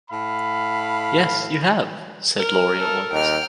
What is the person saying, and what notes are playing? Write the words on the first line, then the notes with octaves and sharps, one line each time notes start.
"Yes, you have," said Laurie at once.
A2 F5 B5
A#4
A4
D#2 G5 F6